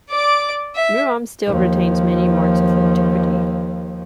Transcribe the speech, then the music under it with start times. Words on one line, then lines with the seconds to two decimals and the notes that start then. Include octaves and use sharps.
Murom still retains many marks of antiquity.
0.11 D5 D6
0.75 E5
1.46 D#2 F3